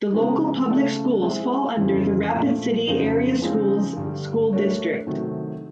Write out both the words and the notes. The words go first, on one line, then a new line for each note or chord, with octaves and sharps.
The local public schools fall under the Rapid City Area Schools school district.
C#3 F3 G#3 B3 D#4
C#3 F3 A3 D4
G#3 C4 E4
F2 C#3 E3
A#2 F3 A3
F2 C#3 F#3 B3 D#4
C#3 F3 G#3 C4 D#4
G2 D3 G3
A3 D4 F#4 A#4 C#5
C3 D#3 F#3 A3